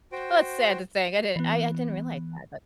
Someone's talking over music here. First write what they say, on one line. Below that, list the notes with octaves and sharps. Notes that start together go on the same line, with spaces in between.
it's sad to think, I didn't I I didn't realize that,
F#4 C5 G5
E3 B3